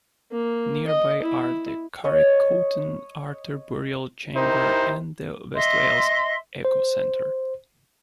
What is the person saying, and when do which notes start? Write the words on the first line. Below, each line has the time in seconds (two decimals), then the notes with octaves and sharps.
Nearby are the Carreg Coetan Arthur burial chamber and the West Wales Eco Centre.
0.31 A#3
0.87 D#5
1.22 E4
2.04 C#5 D#5
4.35 D#4 E4 G4 A#4 C5
5.54 D#5 E5 C6
6.65 C5